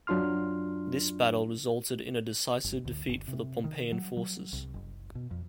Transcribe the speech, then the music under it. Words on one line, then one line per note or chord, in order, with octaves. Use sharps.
This battle resulted in a decisive defeat for the Pompeian forces.
F#2 F#3 D4 F4 C6 F6
G1
D2
F#1
C3
D#3
F#3
F#3
C2
F#1
B2
F2